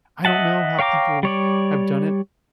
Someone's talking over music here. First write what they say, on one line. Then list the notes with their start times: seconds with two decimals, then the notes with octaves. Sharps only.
I don't know how people have done it.
0.25 D#5 E5 F#5 A5
0.79 C#5 F5 G5 A#5 D6
1.23 G3 C#5 D5